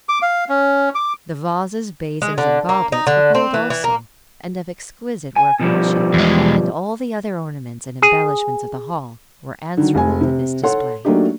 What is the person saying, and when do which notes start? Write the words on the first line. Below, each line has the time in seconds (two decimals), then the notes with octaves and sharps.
The vases, basins, and goblets were gold also, and of exquisite workmanship, and all the other ornaments and embellishments of the hall were answerable to this display.
0.09 D6
0.22 F5
0.49 C#4
0.95 D6
2.22 G#3
2.38 D3
2.69 A#3
2.92 D#4
3.07 D3
3.35 C4
3.54 E3
3.70 E3
3.84 A#3
5.36 G#5
5.60 B2 F3 G3
6.14 E2 G#3
8.02 G#4
9.77 D3 D#3 F#3
9.95 F1 G#5
10.21 C3
10.63 A4 C#5 F#5 C6
11.05 F#3 A3 A#3 D4 D#4 G4